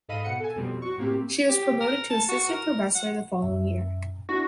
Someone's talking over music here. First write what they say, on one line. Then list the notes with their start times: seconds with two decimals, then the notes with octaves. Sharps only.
She was promoted to assistant professor the following year.
0.08 G#2 A4 D#5 F5 B5 D#7
0.24 B2 F#5 C#7
0.40 A4 G#5
0.56 F2 B2 G3 C4
0.82 F#4 C#6
0.98 A2 A#3 C4 G4
1.49 G4
1.81 A#4
2.10 A5
2.29 F#4
2.49 A#4
2.95 F#5
3.42 F#2 E5
4.29 D4 E4 F#4 A#6